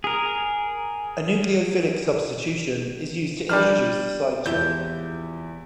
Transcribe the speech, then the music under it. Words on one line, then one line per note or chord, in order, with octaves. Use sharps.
A nucleophilic substitution is used to introduce the sidechain.
G#4 A#4
G3 D4 F6
E2 C3 F3 G#3 E4 G6